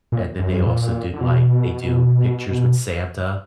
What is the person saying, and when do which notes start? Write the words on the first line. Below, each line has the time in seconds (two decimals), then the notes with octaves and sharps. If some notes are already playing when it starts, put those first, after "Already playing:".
And then they also do, like, they do pictures with Santa.
0.12 A#2
0.40 F#2
0.52 F#2
0.66 A#2
1.14 D3
1.21 B2